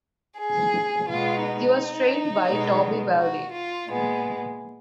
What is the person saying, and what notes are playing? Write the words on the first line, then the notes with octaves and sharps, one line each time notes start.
He was trained by Toby Balding.
G#4
B2 G#3 B3 F4
D#4
B2 G#3 B3
F#4
F4
A#2 G#3 B3